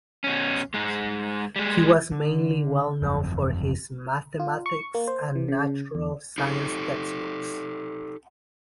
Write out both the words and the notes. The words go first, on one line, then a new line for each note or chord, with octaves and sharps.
He was mainly well known for his mathematics and natural science textbooks.
B2 C#4
G#2 G#3
G3 G#3
D3
G1 F2
F4
C#6
A#3
C5
E3
C#3
E2
D#4 G4 A4